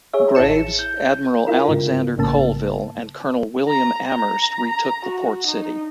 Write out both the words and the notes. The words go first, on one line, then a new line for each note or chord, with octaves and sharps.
Graves, Admiral Alexander Colville and Colonel William Amherst retook the port city.
G#4 C#5 E5
A1 E4 A5 C#7 E7
G6
E4 F4 A#4
G#2 C#3
A1 G#2 C#3 A#3 A5
A#5
A#5
A#5
F#4
D#4